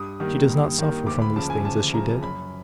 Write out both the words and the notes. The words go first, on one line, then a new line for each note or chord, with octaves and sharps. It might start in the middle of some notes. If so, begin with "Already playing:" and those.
She does not suffer from these things as she did.
Already playing: G2 D#6
D#3 G3 A#3
G2
D#3 G3 A#3
D2 D6
B5
C#3 F3 A5
G#5
D2 A5
C#3 F3 A#5
F#2 B5